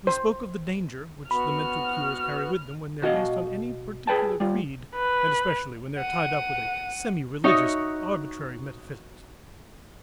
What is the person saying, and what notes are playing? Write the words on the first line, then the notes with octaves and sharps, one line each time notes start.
We spoke of the danger which the mental cures carry with them when they are based on any particular creed, and especially when they are tied up with a semi-religious arbitrary metaphysics.
C5
B3 F#4 B5 F6
B2 F#4 D#5 F5
G#4 B4 G5 A5
G3 F4
B4
F#5 D#7
D#4 F#4 C#5 D#5 E5